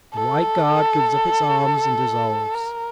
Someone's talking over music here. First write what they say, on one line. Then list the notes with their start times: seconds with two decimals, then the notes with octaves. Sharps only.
The White Guard gives up its arms and dissolves.
0.14 A4
2.55 A#4